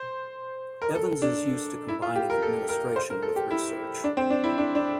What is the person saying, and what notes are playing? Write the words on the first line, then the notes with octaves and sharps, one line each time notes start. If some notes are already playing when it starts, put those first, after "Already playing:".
Evans is used to combining administration with research.
Already playing: C5
A#4
A4
D4
E4
F4
G4
A#4
A4
A#4
C5
A#4
A4
G4
E4
D4
C4
D4
E4
D4
D4